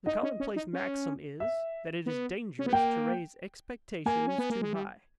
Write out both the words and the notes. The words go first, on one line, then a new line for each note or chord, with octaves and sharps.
The commonplace maxim is, that it is dangerous to raise expectations too high.
D#4 D#5
C#4
C#4
D#4
C#4
E5
B3
C#4
B3
A#3 G5
A#3 G#5
C#4
B3
A#3
G#3
G3